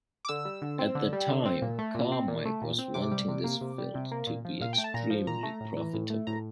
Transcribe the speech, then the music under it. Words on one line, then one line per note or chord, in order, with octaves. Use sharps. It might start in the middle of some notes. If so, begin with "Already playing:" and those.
At the time, Carmike was wanting this field to be extremely profitable.
D6
D3 E6
G3
D3
C4
D3
G3
D3
C4
A#2
A3
A#2
C4
A#2
A3
A#2
C4
C3 D6
G3
C3
A#3
C3
G3
C3
A#3
A#2
F3
A#2 F5
G5
A3
A5
A#2 A#5
F3
A#2 A#5
A3
A2
E3
A2
A3
A2 A#5